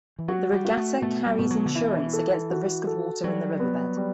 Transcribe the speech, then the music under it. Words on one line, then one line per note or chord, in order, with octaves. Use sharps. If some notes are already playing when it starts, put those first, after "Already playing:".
The regatta carries insurance against the risk of water in the riverbed.
E3
F#3 F#4
G3
F#4
A3
B2 A3
G3
B2
F#3
D3
E3 E4
A4
F#4
A4
F#3 G3
B3
G3